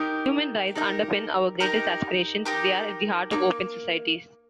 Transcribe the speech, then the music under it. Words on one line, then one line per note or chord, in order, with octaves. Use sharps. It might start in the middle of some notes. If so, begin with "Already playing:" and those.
Human rights underpin our greatest aspirations: they're at the heart of open societies.
Already playing: D#4 G4 A#4
D#4 G4 A#4
D#4 G4 A#4
D#4 G4 A#4
A#3 D#4